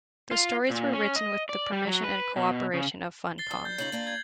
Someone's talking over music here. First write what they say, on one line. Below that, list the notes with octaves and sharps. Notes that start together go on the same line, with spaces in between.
The stories were written with the permission and cooperation of Funcom.
F4
A#2
C#4
D#5
D5
G3
F#3
B4
B2
C#3
A6 C7 G7
G2
G6 A6
C#3 D#4 F4 G6 F#7
A#3 D4 F4
G#6